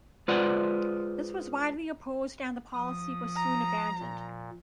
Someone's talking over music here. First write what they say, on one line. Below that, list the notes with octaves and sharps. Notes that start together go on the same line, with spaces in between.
This was widely opposed and the policy was soon abandoned.
G#3 F4 B4 C5 D5 F#5
F3 D#6
A#5
A#2